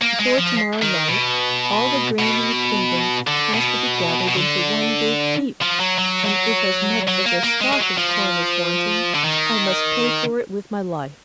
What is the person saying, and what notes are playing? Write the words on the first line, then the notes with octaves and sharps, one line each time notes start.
Before to-morrow night all the grain in the kingdom has to be gathered into one big heap, and if as much as a stalk of corn is wanting I must pay for it with my life.'
A#3
G#3
F3
D#3
B2
B2
D3
B2
B2
D3
F3
F#3
F#3
F#3
F#3
A#3
A#3
G#3
G#3
F#3
F3
D3
D#3